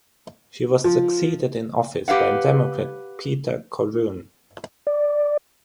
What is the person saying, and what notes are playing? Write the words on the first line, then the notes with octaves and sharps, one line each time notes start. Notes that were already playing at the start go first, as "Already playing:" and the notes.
She was succeeded in office by Democrat Peter Corroon.
F3
G4 B4 F5 F#5
D5